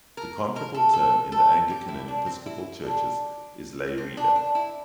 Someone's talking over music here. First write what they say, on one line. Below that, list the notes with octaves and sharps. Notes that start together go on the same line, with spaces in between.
The comparable term in the Anglican and Episcopal churches is Lay Reader.
A#4
A#4
A4
A4
A4
G4
E4
D4
C4
E4
D4
C4
D4
D4
E4